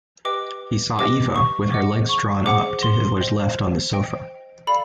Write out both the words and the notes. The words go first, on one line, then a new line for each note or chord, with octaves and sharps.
He saw Eva, with her legs drawn up, to Hitler's left on the sofa.
G4 B4 D#5 G5 D6
G4 B4 D#5 G5 D6
C#6
G#4 C5 D#5 F#5 D6
C#6
G#4 C5 D#5 F#5 D6
C6
C5 D#5 G5
C5 D#5 G5
A4 D5 F5 B5